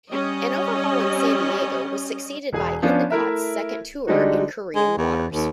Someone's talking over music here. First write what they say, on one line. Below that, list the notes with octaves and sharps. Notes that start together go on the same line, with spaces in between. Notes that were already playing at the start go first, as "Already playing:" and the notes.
An overhaul in San Diego was succeeded by "Endicott"s second tour in Korean waters.
G3 C#4 D#5
E1 G#4 G#5
F3 B3 C#4 D4
A3 E4 A#4 E5
D3 G3 G#3 D#4 F#4
G#3
E2
D#2